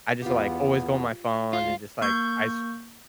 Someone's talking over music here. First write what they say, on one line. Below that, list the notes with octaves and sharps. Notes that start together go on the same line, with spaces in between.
I just, like, always go on my phone and just, like, I sc
E2 B3 F4 G4
D2 F4
A#3 C#6 G6